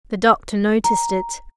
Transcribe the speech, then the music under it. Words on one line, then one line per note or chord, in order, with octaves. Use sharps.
The Doctor noticed it.
A#5